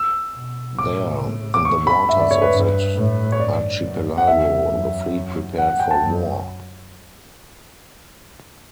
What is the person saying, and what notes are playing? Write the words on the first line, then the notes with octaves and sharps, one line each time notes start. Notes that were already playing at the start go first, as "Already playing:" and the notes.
There, in the waters of that archipelago, the fleet prepared for war.
Already playing: E6
B2
A2 D6
D6
C#6
B5
G2 E5
D5
C#5
B4
G2
A2
C#5
G2 D5
F#2
F#5
E2 E5
F#2
F#5
F#5
G5
A5
F#2